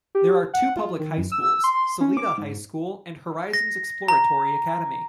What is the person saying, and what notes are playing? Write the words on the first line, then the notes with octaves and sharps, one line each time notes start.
There are two public high schools, Salida High School and Horizons Exploratory Academy.
G4
F#5
F4
D#3
F#2
E6
C6
C#4
D6
G#2
A#6
A#5